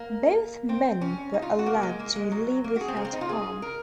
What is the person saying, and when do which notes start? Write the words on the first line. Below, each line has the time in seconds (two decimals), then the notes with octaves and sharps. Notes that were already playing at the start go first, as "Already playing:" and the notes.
Both men were allowed to leave without harm.
Already playing: A#3
0.69 C4
1.01 C#4
1.34 D#4
1.42 F4
1.59 F#4
1.66 A#3
1.83 G#3
1.99 A#3
2.16 G#3
2.32 F#3
2.64 A#3
2.76 F#4
2.81 G#4
2.88 C4
2.97 A#3
3.05 C4
3.13 D#4
3.21 F4
3.29 G#4
3.62 A#4